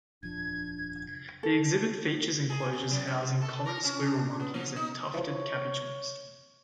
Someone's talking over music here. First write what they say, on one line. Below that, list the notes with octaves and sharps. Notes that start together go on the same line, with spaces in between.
The exhibit features enclosures housing common squirrel monkeys and tufted capuchins.
D#1 F2 F3 D4 G#6
A4
G#4
C#3
F#3
G#2
A4
A#4
C#4
D4
B3
F3
D#4
E3 F3 C#5